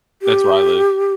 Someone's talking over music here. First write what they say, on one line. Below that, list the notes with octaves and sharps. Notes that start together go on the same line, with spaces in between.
That's where I live,
G4